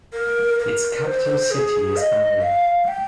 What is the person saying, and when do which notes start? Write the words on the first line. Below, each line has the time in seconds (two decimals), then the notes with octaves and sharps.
Its capital city is Bari.
0.13 A#4
0.59 A#4
1.05 C5
1.51 G#4
1.96 F5
2.00 D#5
2.41 F5
2.87 G5